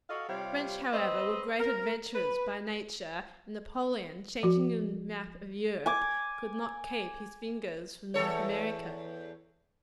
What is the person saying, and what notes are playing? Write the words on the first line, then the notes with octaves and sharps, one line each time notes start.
The French, however, were great adventurers by nature, and Napoleon, changing the map of Europe, could not keep his fingers from North America.
F#4 A4 D#5 F5
C3 G3 F4 C#5 F5
C4 B4 D#5
A#4
B4
F3 F#4
G#5 D6
E2 A4 C#5